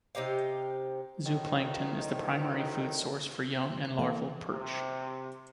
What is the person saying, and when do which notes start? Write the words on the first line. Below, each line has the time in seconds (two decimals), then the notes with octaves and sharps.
Zooplankton is the primary food source for young and larval perch.
0.15 C3 D#4 G4 F5
1.25 D2 A2 D#3
3.63 E5
3.99 E3 A#3 A4 F5
4.53 C3